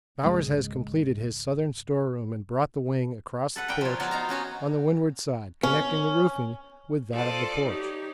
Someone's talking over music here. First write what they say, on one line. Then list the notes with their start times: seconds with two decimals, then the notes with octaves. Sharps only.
Bowers has completed his southern storeroom and brought the wing across the porch on the windward side, connecting the roofing with that of the porch.
0.23 G#1 C#2 G#3
3.56 A4 B4 F#5
3.68 A#4 B4 D5 E5 G5
3.81 F3 C#5
4.00 F3 F#3 B3 F4 C#5
4.11 D#4 F5 A#5
4.29 B3 C#4 F#4 C#5
5.63 C#4
7.14 F4 A4 C5 D5 D#5
7.65 D#4 G4 C#5